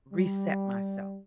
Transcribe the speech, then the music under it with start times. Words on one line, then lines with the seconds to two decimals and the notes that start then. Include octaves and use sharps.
reset myself.
0.12 G3